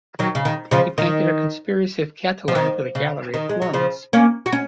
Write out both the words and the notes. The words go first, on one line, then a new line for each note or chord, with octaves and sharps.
He painted a "Conspiracy of Catiline" for the Gallery at Florence.
D#3 F#3
C#3
D#3
C#3 F3
D#3
F3
D#3
C#3
D#3
G#3
F#3
C#3 F3
A#3 C#4
F#4
C#4